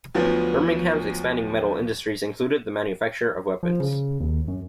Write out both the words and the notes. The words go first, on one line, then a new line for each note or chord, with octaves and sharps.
Birmingham's expanding metal industries included the manufacture of weapons.
D2 F3 F#3 B3
F3
C#3
D#2
F#2